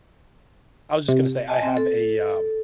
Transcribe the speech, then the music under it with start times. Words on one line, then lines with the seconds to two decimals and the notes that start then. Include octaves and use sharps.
I was just gonna say, I have a, um
1.08 C3
1.48 D#5 G#5 A5
1.63 C4
1.77 A4